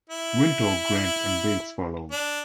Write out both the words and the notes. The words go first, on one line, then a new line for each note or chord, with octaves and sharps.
Wintour, Grant and Bates followed.
E4
D4